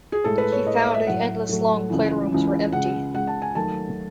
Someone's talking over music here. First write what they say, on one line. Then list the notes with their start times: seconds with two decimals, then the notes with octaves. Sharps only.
He found the endless long playrooms were empty!
0.12 G#4
0.24 A2 G#3 A4
0.38 B4
0.52 C#5
0.66 A2 G#3 D#5
0.79 E5
0.94 E5
1.07 A2 F#3 A3 F#5
1.49 A2 F#3 A3
1.90 C#2 C#3 E3
2.32 C#2 C#3 E3
2.72 C#2 C#3 G#3 F#5
3.14 C#2 C#3 G#3 F#5
3.27 A5
3.42 G#5
3.55 D#2 D#3 F#3 A3 A5